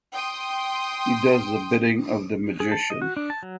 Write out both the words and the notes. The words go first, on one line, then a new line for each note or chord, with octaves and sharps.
He does the bidding of the Magician.
G5 C6 D#6
G#4
A5
D#5
F#4
D4
A5
F#3